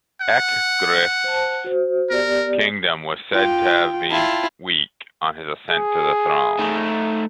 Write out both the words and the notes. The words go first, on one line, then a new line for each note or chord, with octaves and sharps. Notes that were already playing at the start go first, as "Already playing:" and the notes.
Ecgfrith's kingdom was said to have been 'weak' on his ascent to the throne.
F#5
C5 A5
F#4 C5
B3 G4 A#4 D5
F4 G5
E4 F4 G5 A5
G#4
A3 D#4